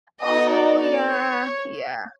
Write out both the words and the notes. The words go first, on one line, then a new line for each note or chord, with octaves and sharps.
Oh yeah, yeah,
B3 D#4 F#4 A4 D#5
D5
D5
C#5